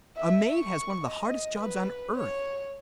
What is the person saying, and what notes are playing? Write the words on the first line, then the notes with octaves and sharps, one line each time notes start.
A maid has one of the hardest jobs on earth.
E5
C#6
D#5
B4
C#5